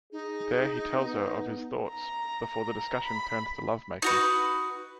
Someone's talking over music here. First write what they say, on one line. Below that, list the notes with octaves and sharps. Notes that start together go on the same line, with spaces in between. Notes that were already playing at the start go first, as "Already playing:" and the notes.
There he tells her of his thoughts, before the discussion turns to love-making.
D#4 G#4
B3
A#5
B5
D#4 F#4 B4